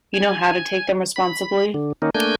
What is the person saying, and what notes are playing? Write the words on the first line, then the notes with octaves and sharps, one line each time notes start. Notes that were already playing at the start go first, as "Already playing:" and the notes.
You know how to take them responsibly?
G#5
B5
D3
D#3 A#3 C#4 D#4
A3 A#3 D4 G#5 G6